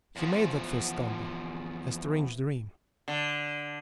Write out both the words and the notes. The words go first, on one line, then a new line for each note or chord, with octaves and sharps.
He made that first stumble, a strange dream.
E2 F3
D3